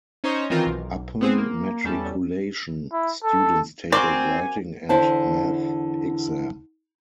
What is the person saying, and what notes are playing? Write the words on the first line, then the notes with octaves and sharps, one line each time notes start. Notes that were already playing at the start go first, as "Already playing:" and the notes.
Upon matriculation, students take a writing and math exam.
C#4 D#4 C5 C#5 D#5
D#3 E3 C4 F4 A#4
B1
B3 C4 G#4 C5
A#3
E2 G3 C#4 A4
E4
A4
C4 F#4 A#4 C5 D5 G#5
E2 D3 E4 C5 A5